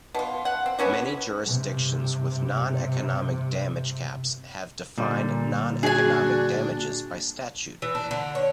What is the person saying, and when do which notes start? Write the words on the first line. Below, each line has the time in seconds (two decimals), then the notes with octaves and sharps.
Many jurisdictions with non-economic damage caps have defined non-economic damages by statute.
0.15 B2 F4
0.45 F#5
0.66 C4
0.79 B2 E3 C#4 F#4
1.47 G2 C3
4.98 A#2 D3 G3
5.83 D4 F#4 G#4 G#5
7.82 E3
7.95 D4
8.11 D3
8.35 C#5